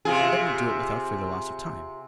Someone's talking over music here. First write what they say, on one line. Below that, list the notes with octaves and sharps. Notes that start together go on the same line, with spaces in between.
Let me do it without further loss of time.
C3 F4 G#4